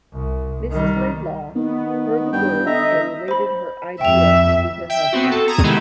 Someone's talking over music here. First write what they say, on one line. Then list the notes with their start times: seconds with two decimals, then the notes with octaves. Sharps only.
Mrs Laidlaw heard the words and related her idea to her husband.
0.12 C2
0.70 D#3 G3
1.56 D#3 B3
2.33 G2 G5
2.66 D3 D#5 E5 A#5
3.28 C5 B5
4.01 F2 E5 G5 F7
4.90 E5 G5
5.13 B3 C4 F#4
5.31 A4
5.48 A#5 D#6 G#6
5.63 C3 D#3 G#3 B3 E4